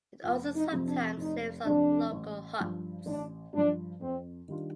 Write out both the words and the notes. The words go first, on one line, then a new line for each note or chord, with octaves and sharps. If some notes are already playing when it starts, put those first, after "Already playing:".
It also sometimes lives on local huts.
F1 F4
D#4
F2 C3 F3 C4
D4
F1 D#4
F2 C3 F3 C4 D4
A1
G2 F3
A1 D4
G2 F3 D4
F2 C4
D#3 G3 D4 F4